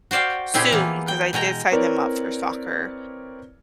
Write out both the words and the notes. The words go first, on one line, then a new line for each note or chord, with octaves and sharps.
soon 'cause I did sign them up for soccer,
F#4 C5 D5 F5 G5
A#2 C#3 C4 E4 G4 G#4
E3 A#3 B3
G5
B2 G#3 G5 A#5
C4 E4 A#4 B4 C#5 D5